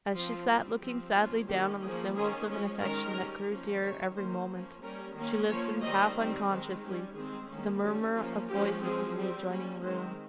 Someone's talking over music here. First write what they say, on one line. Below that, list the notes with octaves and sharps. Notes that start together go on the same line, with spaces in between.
As she sat looking sadly down on the symbols of an affection that grew dearer every moment, she listened half unconsciously to the murmur of voices in the adjoining room.
F3 C4 F4
G3 C4
F3 C4 G4
F3 A#3 C#4 F4
D#3 A#3 C#4 G4
F3 A#3 C#4 G#4
D#3 A#3 C#4 G#4
F3 G#3 C#4
D#3 G#3 C#4 A#4
G3 C#4
F3 A#3 C#4
D#3 G3 C#4 C#5
D#3 A#3 C#4 C5
F3 A#3 C#4
G3 C#4 A#4
D#3 A#3 C#4
F3 A#3 C#4 C#5
D#3 G3 C4 D#5
D#3 G3 C4
D#3 G#3 C4
G3 C#4
D#3 G#3 C4 G#4
D#3 A#3 C#4
D#3 G3 C#4 G4
F3 A#3 C#4 F4
F3 G#3 C#4 G4
F3 G#3 C4 G#4
G3 C4
G3 A#3 C#4
D#3 G#3 C4 C5